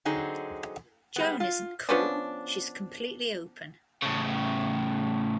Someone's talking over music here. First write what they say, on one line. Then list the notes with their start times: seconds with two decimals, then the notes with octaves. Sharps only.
Joan isn't cool-she's completely open.
0.05 D3 F#3 C4 D#4 G#4
1.16 G3 G#3 B3
1.40 F4
1.89 F3 B3 C#4 D4
4.02 A2 C#3